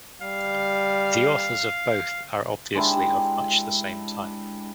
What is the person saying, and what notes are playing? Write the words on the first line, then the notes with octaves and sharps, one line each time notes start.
The authors of both are obviously of much the same type.
G3 F5
G#3 D4 E4 G4